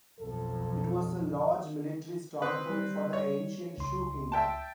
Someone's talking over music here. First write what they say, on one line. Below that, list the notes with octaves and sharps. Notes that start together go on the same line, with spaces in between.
It was a large military stronghold for the ancient Shu Kingdom.
B1 F2 A4
C4 B4 D#6
G3
C#5
C#2 C6
E5 G5 A5